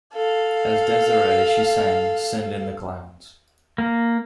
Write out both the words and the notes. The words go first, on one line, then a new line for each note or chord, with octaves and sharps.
As Desiree she sang "Send In The Clowns".
A4 F5
A#3